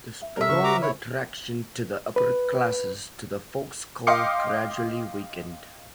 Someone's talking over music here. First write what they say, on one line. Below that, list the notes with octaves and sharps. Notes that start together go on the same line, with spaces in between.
The strong attraction to the upper classes to the folkeskole gradually weakened.
E5
G3 C4 A4 A#4 E5
C#3 C5 C#6
F#4 A#5 D6
E4 C#5
B4
D#5 F5 G5 C6 D6 C#7